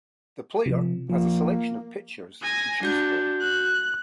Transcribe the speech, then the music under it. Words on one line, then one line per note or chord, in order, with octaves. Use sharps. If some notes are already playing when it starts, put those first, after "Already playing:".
The player has a selection of pitchers to choose from.
C3 F3
F3 A#3
G#5 A#6
D4 F#4 G6
F#6